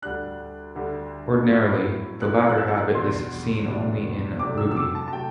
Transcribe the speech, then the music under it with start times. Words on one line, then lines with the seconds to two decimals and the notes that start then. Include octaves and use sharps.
Ordinarily, the latter habit is seen only in ruby.
0.02 D2 D3 G3 D4 F#6
0.76 D2 D3 G3 D4
1.49 A2 F#3 C4 E4
2.21 A2 F#3 C4 E4 F#6
2.49 F#6
2.58 E6
2.95 E2 B2 G3 D4 C6
3.66 E2 B2 G3 D4
4.39 C3 F#3 A3 D4 D6
4.58 E6
4.71 E6
4.76 D6
4.95 A5
5.08 A5
5.13 C3 F#3 A3 G5